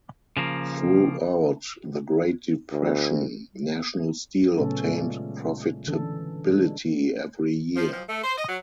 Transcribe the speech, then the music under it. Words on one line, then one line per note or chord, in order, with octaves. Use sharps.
Throughout the Great Depression, National Steel obtained profitability every year.
C#3 F3 A#3
D2
F#3
A#2 C#3 A3 B3 C#4 A4
G#3 F4 D5
D3 E3 C#4 D4 A4
G#3 D4
F3
F3
A3
C5
D#5
F#3